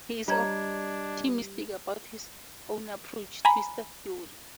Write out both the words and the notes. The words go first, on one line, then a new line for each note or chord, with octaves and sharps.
He is optimistic about his own approach, twistor theory.
G3 D4 F4 C#5 D#5 A#5 G#6
G#5 A#5 B5